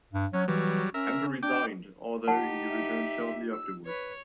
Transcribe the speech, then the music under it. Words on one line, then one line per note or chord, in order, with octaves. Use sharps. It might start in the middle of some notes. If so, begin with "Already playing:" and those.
Kempe resigned, although he returned shortly afterwards.
G2
F#3 C#4
E3 F#3 G3
C#4 A#4 E5
D4 G5 D6
D#4 G4 F#5 A5
E5
E6
B4 C#5